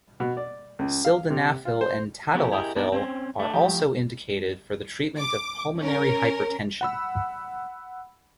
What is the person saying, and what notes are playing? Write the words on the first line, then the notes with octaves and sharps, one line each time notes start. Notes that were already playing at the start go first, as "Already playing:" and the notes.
Sildenafil and tadalafil are also indicated for the treatment of pulmonary hypertension.
B2
D5
C#2
F5
C3
F4
C5
F3 B3 C#4 F#4 G4 A#4
E4 G4 G#4 A#4 D#5
B3 D4 D#4 A#4
C4 C#4 C5
A3 D4
A2 F3 G4
D6
C#4 A#4
F#5 B5 E6